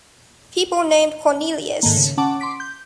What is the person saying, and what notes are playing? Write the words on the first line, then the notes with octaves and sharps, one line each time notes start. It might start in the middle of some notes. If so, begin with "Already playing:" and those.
People named Cornelius.
G#2 D#3 A3 A#3
C#3
C#4 F#5 A5 D6
C6 D6 B6 D7
G6